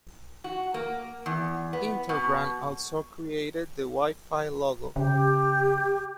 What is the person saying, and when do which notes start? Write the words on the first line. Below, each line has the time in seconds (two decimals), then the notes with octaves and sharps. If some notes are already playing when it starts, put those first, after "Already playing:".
Interbrand also created the Wi-Fi logo.
0.44 F#4
0.74 A#3
1.26 E2
1.73 B3
2.09 B2
4.96 C#3 G4